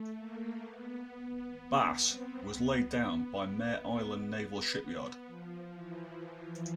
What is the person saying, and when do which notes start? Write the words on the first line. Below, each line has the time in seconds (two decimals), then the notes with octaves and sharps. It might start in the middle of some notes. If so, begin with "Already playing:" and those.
"Bass" was laid down by Mare Island Naval Shipyard.
Already playing: A3
0.17 A#3
0.63 B3
1.57 B3
2.03 C4
2.49 B3
2.95 B3
3.42 B3
4.34 B3
5.27 F3
5.74 E3